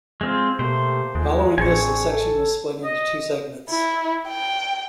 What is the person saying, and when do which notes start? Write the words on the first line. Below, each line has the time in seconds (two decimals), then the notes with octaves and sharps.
Following this, the section was split into two segments.
0.21 G#3 C4 F4
0.59 B2 A3 A#3 G4 C5
1.15 D#2 G#3 A3 F4
1.58 A1 C4 D4 G#4 G#5 C#6
2.10 A4
2.84 D#5
3.70 E4
4.28 G5